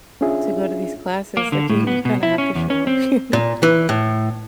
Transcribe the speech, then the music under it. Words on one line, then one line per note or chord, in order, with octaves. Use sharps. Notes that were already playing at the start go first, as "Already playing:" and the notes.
to go to these classes. Like, you you kinda have to show up, you know?
C#4 D4 F4 G#4 E5
A#3
D3
A2
B3
B2
E4
C#4
E2
C#4
C4
A#2
E3
A2